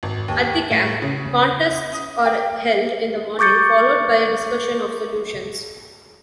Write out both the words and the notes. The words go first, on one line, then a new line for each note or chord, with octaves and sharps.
At the camp, contests are held in the morning, followed by discussion of solutions.
G#1
D#2
A2
C#3
D#6
G5
C#6 D6 G6 A6 C#7